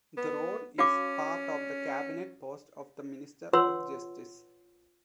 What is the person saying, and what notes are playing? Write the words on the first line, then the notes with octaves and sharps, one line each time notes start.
The role is part of the cabinet post of the Minister of Justice.
B3
C#4 F#4 F5 D6
F4 B4 C#5 F#5 C6 E6